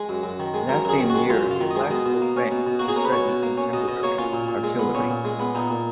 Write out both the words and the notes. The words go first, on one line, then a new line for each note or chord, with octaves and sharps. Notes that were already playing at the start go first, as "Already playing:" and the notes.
That same year, he left for France to study contemporary artillery.
Already playing: G#3
F#2
F#2
D#3
G#3
F#2 A#4
F#2 G#4 A#4
D#3
G#3 F#4
F#2 F4
F#2
F4
D#3
G#3 D#5
B2 D#5
B2
A#3
C#4
B2
B2
A#3 F#4
G#4
C#4 A#4
B4
B2 C#5
B2
A#3
C#4
B2 D#5
B2 D#5
A#3 C#5
C#4 F4
A#2
A#2
G#3
B3
A#2 C#4
A#2
G#3
B3
A#2 D#4
A#2